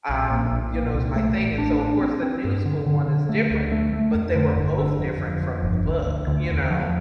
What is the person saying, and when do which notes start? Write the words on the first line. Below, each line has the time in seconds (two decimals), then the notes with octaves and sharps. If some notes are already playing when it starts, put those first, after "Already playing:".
um, you know, it's my thing, and so of course the new school one is different, but they were both different from the book, you know.
0.09 A#1
0.31 A#2
0.52 A#1
0.73 A#2
0.95 C2
1.16 A3
1.38 A1
1.58 D4
1.79 D4
2.01 C4
2.23 C4
2.45 G2
2.65 D3
2.86 D3
3.08 D3
3.29 A3
3.51 D2
3.72 A3
3.93 A3
4.15 F2
4.35 D3
4.56 G1
4.78 D3
4.99 F2
5.21 F2
5.43 F2
5.63 G1
5.85 D2
6.06 D2
6.27 D2
6.49 E2
6.70 F3